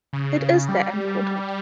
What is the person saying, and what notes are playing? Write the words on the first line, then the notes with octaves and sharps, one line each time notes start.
It is that important.
C#3
C#3
G3